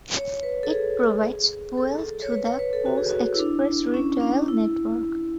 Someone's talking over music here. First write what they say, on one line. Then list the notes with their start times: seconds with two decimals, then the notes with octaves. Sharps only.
It provides fuel to the Coles Express retail network.
0.16 C#5
0.43 B4
0.63 A4
0.69 G#4
1.77 A4
2.22 C#5
2.32 B4
2.45 C#5
2.59 B4
2.73 A4
2.86 F#4
2.98 G#4
3.09 F#4
3.34 E4
3.39 D4
3.94 C#4
4.21 D4
4.48 E4